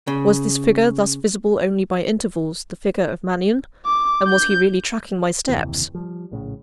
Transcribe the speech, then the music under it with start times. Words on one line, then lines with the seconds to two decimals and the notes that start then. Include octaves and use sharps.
Was this figure, thus visible only by intervals, the figure of Mannion? and was he really tracking my steps?
0.07 C#3
3.86 D6
4.27 G6
5.48 F#1 D#2 C3 E3
5.95 F3 G3
6.32 A#1 A2 C#3